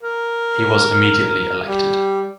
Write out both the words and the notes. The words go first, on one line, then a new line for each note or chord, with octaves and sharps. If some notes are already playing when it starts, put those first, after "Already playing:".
He was immediately elected.
A#4
G3